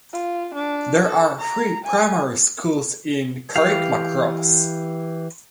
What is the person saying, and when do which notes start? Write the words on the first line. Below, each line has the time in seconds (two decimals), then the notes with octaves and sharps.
There are three primary schools in Carrickmacross.
0.13 F4
0.54 D4
1.04 A4
1.39 A#5
1.84 G#5
3.56 E3 G4 F5